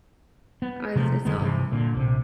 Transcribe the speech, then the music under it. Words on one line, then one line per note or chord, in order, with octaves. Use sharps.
Uh, it's it's all
B3
C3 F3 G#3 A3
F#1 D3 G#3 B3
G2 C3 E3
A#2 D3
A#1 C3